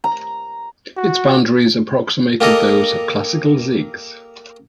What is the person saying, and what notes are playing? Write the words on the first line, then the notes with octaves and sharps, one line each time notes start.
Its boundaries approximated those of classical Zyx.
A#5
F#4
A#3 G4 A4 A#4 D#5